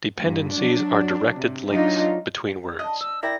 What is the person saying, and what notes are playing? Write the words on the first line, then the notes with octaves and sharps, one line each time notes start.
Dependencies are directed links between words.
G2 A#2
F#3 D4
C3
F#3 D4 D#4 F4
D4 D#5
E6
E4 A#4 D5 G5 A#6